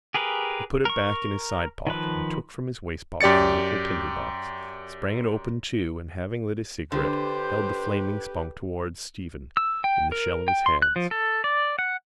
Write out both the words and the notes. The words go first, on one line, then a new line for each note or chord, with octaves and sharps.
He put it back in his sidepocket and took from his waistcoatpocket a nickel tinderbox, sprang it open too, and, having lit his cigarette, held the flaming spunk towards Stephen in the shell of his hands.
G4 G#4 A#4 B4
A#4 C#6
D#3 F3 B4
F#2 G4 D5 A6 C#7
D3 G4 B4 C5
E6
G5
A#4
G5
C6
F#6
F3
A4
D5
F#5